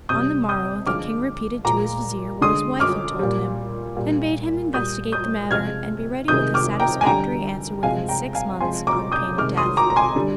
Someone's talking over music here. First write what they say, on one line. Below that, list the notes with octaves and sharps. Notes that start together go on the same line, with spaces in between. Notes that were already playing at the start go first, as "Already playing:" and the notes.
On the morrow the King repeated to his vizier what his wife had told him, and bade him investigate the matter, and be ready with a satisfactory answer within six months, on pain of death.
C3 G3 D#6 G6
D#6 G6
D3 F3 G#3 D6 F6
A#2 F3 G#3 A#5 D6
D3 G#3 C6 D#6
D6 F6
A#2 G3
A#2 G3
A#2 G3 D#6 G6
D#6 G6
C3 F3 G#3 F6 G#6
C3 D#3 G#3 D#6 G6
D6 F6
G5 A#5
G#5
D3 G3 G5 A#5
C3 F3 G#3 F5 G#5
G5 A#5
F5 G#5
C3 F3 G#3 G#5 C6
A#5 D6
D#6 G6
C3 D#3 G#3 D6 F6
C6 D#6
A#5 D6
A#5
G#5 C6
D3 G3